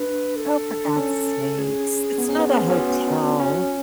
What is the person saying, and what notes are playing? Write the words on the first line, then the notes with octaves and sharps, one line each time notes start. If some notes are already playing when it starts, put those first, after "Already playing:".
Oh, for god's sakes. It's not a hotel.
Already playing: D4 B4
A4
D4
C#4
G#4
B3
C#4
B3
C#4
B3
C#4
B3 F#4
F#4
C#4 F#4